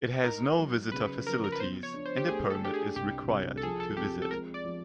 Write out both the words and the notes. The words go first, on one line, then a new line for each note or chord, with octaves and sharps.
It has no visitor facilities and a permit is required to visit.
D#4 A#4
F#3
C#3 B4
F3 A#4
A#4
B4
B3 C5
C#5
D4
C5
G4
A3 G#4
A4
D4 G4
G#4
C2 G4
C2
A4
F3 G#4
A4
C4 G4
A4
G#3 A#4
D5
F3